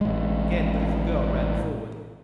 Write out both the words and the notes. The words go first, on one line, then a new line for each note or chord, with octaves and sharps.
Again the little girl ran forward.
A1 G#3